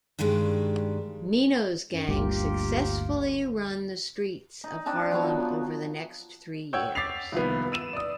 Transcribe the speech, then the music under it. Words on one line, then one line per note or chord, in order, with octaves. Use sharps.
Nino's gang successfully run the streets of Harlem over the next three years.
G2 D#3 G3 G#3 D4
F#2
G1 D2 A#3 F4 G4
D#4
C4 D4 D#4 A5
F3 F#3 B3 C#5
C#5 F#5 G5 C#6 E6 G6
D6 A6 B6 C7 F7
C2 D#3 F3 A#3 B3
E6 D#7 E7
D5 D#6